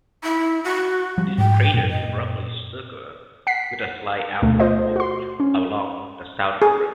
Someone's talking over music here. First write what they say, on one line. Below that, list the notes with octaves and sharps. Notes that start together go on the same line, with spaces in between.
This crater is roughly circular, with a slight outward bulge along the southern rim.
E4
F#4
F3 G3
G#2 G5
F#2 A#2
D#5
F#5 B6 C7
D2 B2 A3
F4 C5 D#5
F#4 C6
C#4
G#4